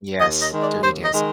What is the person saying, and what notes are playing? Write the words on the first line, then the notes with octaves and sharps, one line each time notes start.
Yes. Dirty Dancing.
D#2 D#5
D#5
D#3 G#3
D5
D#2 C5
D#5
D#3 G#3